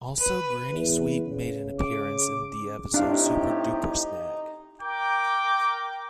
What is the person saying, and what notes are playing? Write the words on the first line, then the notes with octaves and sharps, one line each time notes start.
Also, Granny Sweet made an appearance in the episode Super Duper Snag.
B4
E2
C#3
D6
A2 C4 D4 D#4 G4 F5
A#4 G5 D6